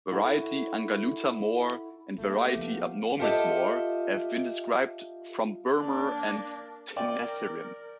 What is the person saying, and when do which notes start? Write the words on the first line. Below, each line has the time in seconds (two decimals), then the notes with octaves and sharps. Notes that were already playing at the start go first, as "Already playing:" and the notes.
Variety "angulata" Moore, and variety "abnormis" Moore, have been described from Burma and Tenasserim.
0.11 E4 F#4 A4
2.18 A3 A#3 E4 G4
2.56 F3 B3 F5
3.19 F4 G4 A4 D#5 E5
5.75 A#3 D4
6.96 A#4 D5 G5